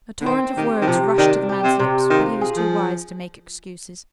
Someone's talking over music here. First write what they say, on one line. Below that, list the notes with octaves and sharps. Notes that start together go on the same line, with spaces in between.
A torrent of words rushed to the man's lips, but he was too wise to make excuses.
D3
D#3 C4
D#3 G4
D#3
C3 F3
D#3 D4
G4
C3
C3
D#3 F4
G#4
F3